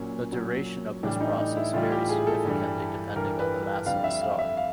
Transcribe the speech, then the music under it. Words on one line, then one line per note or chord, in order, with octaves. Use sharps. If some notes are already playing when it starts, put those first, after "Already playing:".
The duration of this process varies significantly depending on the mass of the star.
Already playing: A#2 F#3 C#4
A#2 F#3
A2 E3 G3 D4
D#4
D#4
E4
A2 E3 G3 F4
G4
G#4
A4
G2 E3 G3
G2 E3 G3 A#4
B4
B4
F2 D3 G3 F5
E5
F5
E5
F5